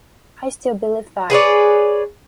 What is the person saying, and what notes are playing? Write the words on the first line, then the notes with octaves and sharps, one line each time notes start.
I still believe that.
G#4 B4 C#5 D5